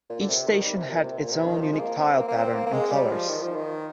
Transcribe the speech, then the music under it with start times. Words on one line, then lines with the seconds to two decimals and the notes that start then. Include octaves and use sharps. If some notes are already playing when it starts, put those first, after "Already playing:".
Each station had its own unique tile pattern and colours.
0.10 A#2
0.21 D3
0.29 C3
0.48 D#3
0.62 G3
0.76 C3
0.90 A#2
1.04 C3
1.18 A#2
1.32 C3
1.46 D#3
1.61 F3
1.73 G#3
1.79 A#3
1.98 C4
2.17 A#3
2.28 A#3
2.36 C4
2.55 A#3
2.66 A#3
2.73 G#3
2.92 G3
3.11 F3
3.30 D#3
3.43 F3
3.56 D#3